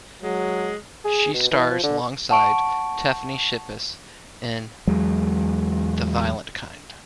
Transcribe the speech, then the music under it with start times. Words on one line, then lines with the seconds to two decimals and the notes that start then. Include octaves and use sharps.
She stars alongside Tiffany Shepis in "The Violent Kind".
0.23 F#3 G#3
1.05 G#4
1.34 B2
1.51 E3
1.71 F3
1.83 D3
2.30 F#5 A5 C#6 D7
4.87 E2 F#3 G#3